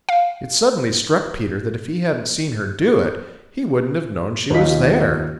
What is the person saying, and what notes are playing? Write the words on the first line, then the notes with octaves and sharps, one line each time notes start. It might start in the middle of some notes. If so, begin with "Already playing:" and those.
It suddenly struck Peter that if he hadn't seen her do it, he wouldn't have known she was there.
F5
D#2 F4 D#5 B6